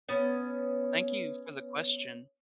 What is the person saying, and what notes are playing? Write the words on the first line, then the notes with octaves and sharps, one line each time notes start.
Thank you for the question.
B3 C#4